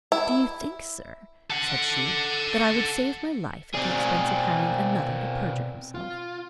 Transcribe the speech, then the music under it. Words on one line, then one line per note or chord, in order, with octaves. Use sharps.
"And do you think, sir," said she, "that I would save my life at the expense of hiring another to perjure himself?"
E4
A4 F#5
B2 C4 G#4 D5
F4